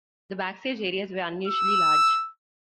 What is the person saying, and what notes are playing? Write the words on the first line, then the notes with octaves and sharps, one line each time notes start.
The backstage areas were unusually large.
E6